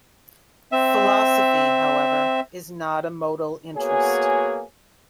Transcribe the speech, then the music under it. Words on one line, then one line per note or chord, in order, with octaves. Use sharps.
Philosophy, however, is not a modal interest.
C4 E5
A#3 B3 F#4 G#4 C#5 G#5